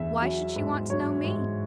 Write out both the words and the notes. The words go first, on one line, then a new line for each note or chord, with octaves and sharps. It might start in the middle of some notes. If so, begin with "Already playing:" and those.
"Why should she want to know me?"
Already playing: E2 E5
F#3
G#2
F#3 C#5
G#2